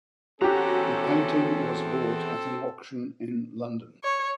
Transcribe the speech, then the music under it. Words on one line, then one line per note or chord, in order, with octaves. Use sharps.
The painting was bought at an auction in London.
E2 C4 C#4 F#4 G4 A4 A#5
C#5